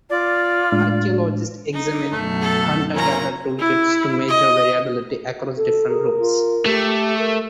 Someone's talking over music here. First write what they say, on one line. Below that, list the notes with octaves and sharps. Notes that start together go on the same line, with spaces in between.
Archaeologists examine hunter-gatherer tool kits to measure variability across different groups.
F4 D5
A2 G#3 D4
D#4
F#2 B2 A3
A4
A#2 C#4 A#5
E4
D#5
A4
G#4 A#4
F4
A3 G4
A#4